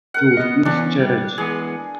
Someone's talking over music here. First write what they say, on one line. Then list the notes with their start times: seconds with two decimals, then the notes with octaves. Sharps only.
Jooste’s church.
0.14 A#4 F#5
0.37 B3 D#5
0.65 E3 B3 C#4 D4
0.99 G3
1.38 E3 G#3 B3 G#4